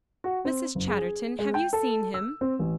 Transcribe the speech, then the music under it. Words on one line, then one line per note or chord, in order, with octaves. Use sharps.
"Mrs. Chatterton, have you seen him?"
F#4
C4
F#1
G#4
G#3
G5
A4
E6
C4
A1